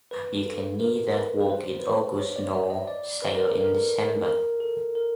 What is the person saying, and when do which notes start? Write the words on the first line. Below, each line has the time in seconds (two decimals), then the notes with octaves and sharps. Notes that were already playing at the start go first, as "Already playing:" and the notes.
You can neither walk in August nor sail in December.
0.11 B4
0.46 A4
0.80 A#4
1.15 B4
1.40 B4
1.50 C5
1.80 B4
1.84 C5
2.19 C#5
2.36 D5
2.53 E5
2.70 D#5
2.87 D5
3.22 B4
3.35 A#4
3.48 A4
3.61 A#4
4.26 A#4
4.60 A4
4.95 A#4